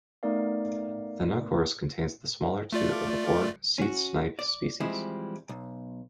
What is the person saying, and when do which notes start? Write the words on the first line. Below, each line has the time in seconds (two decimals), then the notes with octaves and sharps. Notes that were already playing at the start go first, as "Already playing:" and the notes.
"Thinocorus" contains the smaller two of the four seedsnipe species.
0.23 A3 B3 D#4 A#4 D5 F5
2.73 A3 F4 D5
3.78 C#4 F#4
4.39 D5
4.80 E3 F3 G3 G#3 C4 E4
5.49 B1